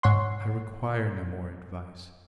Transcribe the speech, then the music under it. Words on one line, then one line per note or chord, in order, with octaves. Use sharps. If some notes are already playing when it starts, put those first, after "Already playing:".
"I require no more advice."
G#2 C#5 F#5 C6